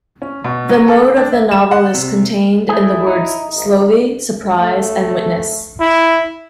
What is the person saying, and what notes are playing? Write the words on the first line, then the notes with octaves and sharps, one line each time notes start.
The mode of the novel is contained in the words Slowly, Surprise, and Witness.
C#4
B2
F#3
A4
D4
E5
E7
F#5
C3
A3 E4 G#4
D#4
G#1
A3
E4